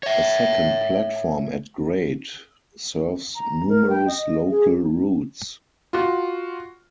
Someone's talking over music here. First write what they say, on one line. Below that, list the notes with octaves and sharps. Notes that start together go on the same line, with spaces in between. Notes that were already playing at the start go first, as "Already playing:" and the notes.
A second platform at grade serves numerous local routes.
C#5 E5
A#5
A#4
G5
D#5
G#4
F4 F#4